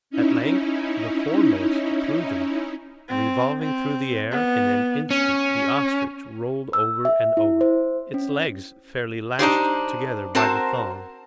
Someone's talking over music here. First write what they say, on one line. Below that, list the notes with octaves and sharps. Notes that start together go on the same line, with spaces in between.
At length the foremost threw them, revolving through the air: in an instant the ostrich rolled over and over, its legs fairly lashed together by the thong.
C#4 D#4 E4
C4
C4
B3
C#4
E6
E5
E4
C5
C#4
D4 D#4 G4 C5
C4 F#4 A#4 C5 A5